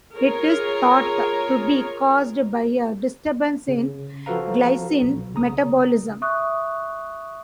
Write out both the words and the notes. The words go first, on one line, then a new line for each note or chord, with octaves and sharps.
It is thought to be caused by a disturbance in glycine metabolism.
F4 G#4 A#4 C#5
C#3
F3 F#4 A4 B4 F5 A#5
B1
C#3 A#5 D#6
E5 C#6 D#6 F#6